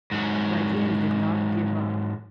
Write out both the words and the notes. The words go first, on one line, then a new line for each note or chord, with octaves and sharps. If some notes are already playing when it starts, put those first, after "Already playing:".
But Yin did not give up.
G#2 F#3